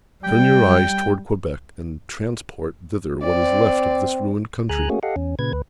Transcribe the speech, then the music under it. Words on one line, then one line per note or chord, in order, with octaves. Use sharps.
Turn your eyes towards Quebec, and transport thither what is left of this ruined country.
G3 G5
C4 D5
D2 G#4 G#5 A#5 F#6
A3 A#3 C#4 F#4 G#4
G4 A4 D#5 F5 F#5
E2 C#4
A#2 C#3 B4 G#6
D2 B4